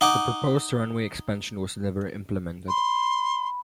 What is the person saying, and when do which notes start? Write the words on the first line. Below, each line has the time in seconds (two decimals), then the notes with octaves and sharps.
The proposed runway expansion was never implemented.
0.01 D#4 F#5 D6
2.68 B5 C6